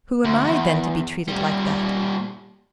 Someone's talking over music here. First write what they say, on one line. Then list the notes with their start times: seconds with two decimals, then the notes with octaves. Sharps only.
Who am I, then, to be treated like that?
0.25 D2
0.45 E2
1.28 A#2 G3